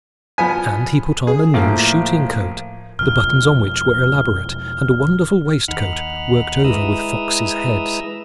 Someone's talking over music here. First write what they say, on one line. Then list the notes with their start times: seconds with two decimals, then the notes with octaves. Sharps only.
And he put on a new shooting-coat, the buttons on which were elaborate, and a wonderful waistcoat worked over with foxes' heads.
0.38 F3 B3 G#5 B6
1.27 G#4
1.54 A2 F3 A#3
2.99 E1 A#2 F3 F6
5.68 D#2 D#4 F#5 B5 F6
6.64 G#3 E4 B4 A#5 D#6 E6